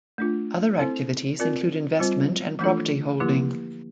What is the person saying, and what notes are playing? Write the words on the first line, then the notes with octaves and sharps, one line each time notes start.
Other activities include investment and property holding.
A3 D4 F4
C4 E4 A4 C5
C4 F4 A#4 D5
G3 C4 F4 C5
E3 A3 D4 F4 A4
D3 F3 A#3 E4 G4